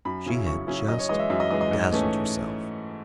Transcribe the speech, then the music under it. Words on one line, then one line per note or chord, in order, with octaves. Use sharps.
She had just dazzled herself.
F#2 B5
C#3 F#3 C#4 E4
F#2 C#6
C#3 F#3 C#4 E4
F#2 D#5
C#5
E3 G#3 D#5
E5
F#2 E5
D#5
E3 G#3 D#5
D#5
G#2
E3 A3 C#4